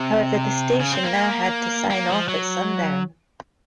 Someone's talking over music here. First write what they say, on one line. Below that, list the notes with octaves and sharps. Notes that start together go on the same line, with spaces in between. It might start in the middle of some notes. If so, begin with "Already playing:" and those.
However, the station now had to sign off at sundown.
Already playing: C3
C#3
C4
A#3
A#3
F3
F#3